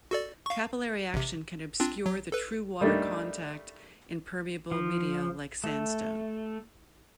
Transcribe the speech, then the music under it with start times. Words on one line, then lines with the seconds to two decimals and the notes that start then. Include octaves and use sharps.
Capillary action can obscure the true water contact in permeable media like sandstone.
0.11 F#4 A4 D5
0.46 F5 C#6
1.14 A1 C3
1.80 C4 D4 F4
2.06 F#3
2.32 A4 B4
2.81 G3 A3 A#3 D4 D#4
4.71 F3
5.64 A3